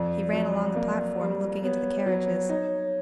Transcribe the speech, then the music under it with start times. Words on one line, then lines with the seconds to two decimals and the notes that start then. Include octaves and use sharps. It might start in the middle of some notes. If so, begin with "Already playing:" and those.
He ran along the platform, looking into the carriages.
Already playing: F2 D5
0.33 F#3
0.76 A#3
1.20 G3
1.63 B3 C#5
2.06 F#3
2.49 D#4